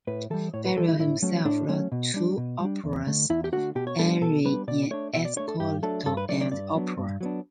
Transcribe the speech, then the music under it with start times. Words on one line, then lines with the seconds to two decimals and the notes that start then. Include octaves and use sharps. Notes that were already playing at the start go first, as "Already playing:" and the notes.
Berio himself wrote two operas, "Un re in ascolto" and "Opera".
0.07 A2 B4
0.30 E3 G3 A4
0.54 A2 C#5
0.65 B4
0.77 E3 G3 A4
0.88 E4
0.99 A2 E4
1.22 F#3 A3 C#4
1.45 A2 D4
1.68 F#3 A3 C#4
1.92 B2
2.14 G3 D4
2.37 B2
2.61 G3 D4
2.84 E2
3.07 D3 A3
3.30 E2 E4
3.44 G4
3.52 D3 A3 F#4
3.75 B2 G4
3.87 C#5
3.99 G3 B3 D4 A4
4.21 B2 A4
4.45 G3 B3 D4 B4
4.68 B2 D5
4.91 A3 D4 C#5
5.13 B2 E5
5.25 D5
5.36 A3 D4 C#5
5.48 A4
5.60 G2 G4
5.82 F#3 A3 D4 A4
6.06 G2 A4
6.17 B4
6.29 F#3 A3 D4 D5
6.41 D5
6.52 G2 D5
6.75 F#3 B3 D4
6.97 G2
7.21 F#3 B3 D4